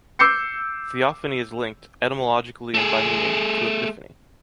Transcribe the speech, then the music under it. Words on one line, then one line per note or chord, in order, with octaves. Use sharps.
Theophany is linked, etymologically and by meaning, to epiphany.
D6 E6 G6 C7 C#7
A3 G#4